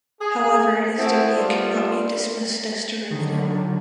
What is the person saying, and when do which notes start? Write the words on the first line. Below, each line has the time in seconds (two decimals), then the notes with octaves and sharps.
However, his debut cannot be dismissed as derivative.
0.21 G#4
0.99 A3 C4 E4 G#4 F#5
1.37 G3 B3 D4 F4
3.11 D3 D#3 F#3